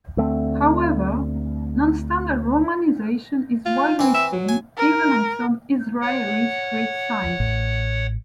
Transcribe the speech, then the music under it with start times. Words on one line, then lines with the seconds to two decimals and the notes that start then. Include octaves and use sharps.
However, non-standard romanization is widely seen, even on some Israeli street signs.
0.17 D2 A3 C4
3.66 F4
3.99 E3 C4
4.14 E5
4.32 F#3
4.49 G#5
4.77 A#4
6.02 C#5 F#5
7.40 A1 A2